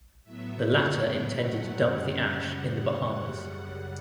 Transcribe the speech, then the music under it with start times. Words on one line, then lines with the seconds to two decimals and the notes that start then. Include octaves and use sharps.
The latter intended to dump the ash in the Bahamas.
0.24 A2 F#3 B3 E5
0.60 F#2 D3 A3 F#5
0.95 F#2 C#3 F#3 B3 G5
1.32 A2 F#3 A3 F#5
1.68 F#2 C#3 G3